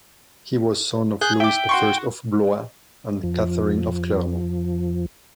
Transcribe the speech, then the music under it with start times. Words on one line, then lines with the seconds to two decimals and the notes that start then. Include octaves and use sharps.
He was son of Louis the First of Blois and Catherine of Clermont.
1.21 G#4 F#6 G6
1.40 E5 G5 D6
1.69 F#4 C6 C#6
3.23 F2 F3